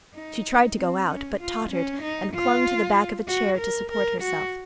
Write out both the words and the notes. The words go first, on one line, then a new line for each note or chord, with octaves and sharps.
She tried to go out, but tottered, and clung to the back of a chair to support herself.
D#4
C4
C#4
F4
C#4
D#4
F4
F#4
A#4
A#4
F#4